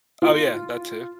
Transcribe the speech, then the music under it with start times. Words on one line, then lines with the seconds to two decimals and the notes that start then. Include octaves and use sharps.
Oh yeah, that too.
0.22 F4